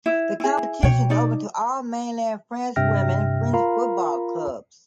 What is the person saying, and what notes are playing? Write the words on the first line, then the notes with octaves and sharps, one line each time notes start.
The competition is open to all Mainland France women French football clubs.
E4
E4 G#4
B2 A#3 C#5 G5
D#4 D5
G2 C3 E5 G5 F6 A#6
F4 A#4 F5 A#5 B5